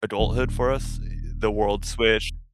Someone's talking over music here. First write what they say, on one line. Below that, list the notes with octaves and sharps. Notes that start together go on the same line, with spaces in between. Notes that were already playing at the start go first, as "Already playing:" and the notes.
adulthood for us, eh, the world switched.
D#1 D3